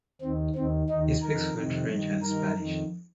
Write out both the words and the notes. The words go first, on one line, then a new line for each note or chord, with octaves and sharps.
He speaks fluent French and Spanish.
D#2 D#3 C4
D#2 D#3 C4
D#2 D#3 D#4
F2 D#3 A#4
F2 C3 D#3
G2 D#3
G2 D#3 A#4
F2 D#3